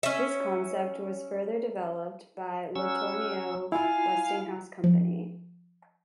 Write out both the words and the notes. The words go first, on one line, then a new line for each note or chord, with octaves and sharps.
This concept was further developed by LeTourneau Westinghouse Company.
C#4 E5
F#3 C#4 E6
E4 F4 F5 G#5
F3